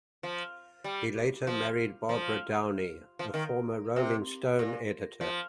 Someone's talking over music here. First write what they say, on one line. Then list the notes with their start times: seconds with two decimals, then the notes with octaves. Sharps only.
He later married Barbara Downey, a former "Rolling Stone" editor.
0.23 F3
0.84 G3
1.47 F3
2.09 F3
3.19 F3
3.34 D#3
3.96 C3
4.59 A#2
5.21 F3